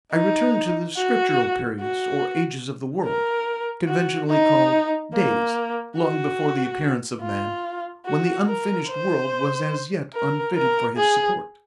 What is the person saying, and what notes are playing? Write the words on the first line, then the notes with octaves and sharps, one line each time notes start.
I return to the scriptural periods or ages of the world, conventionally called 'days,' long before the appearance of man, when the unfinished world was as yet unfitted for his support.
D#4
F#4
F#4
A#4
F#4
D#4
A#3
F#4
F4
F#4
A#4
C5
A#4
A#4
G#4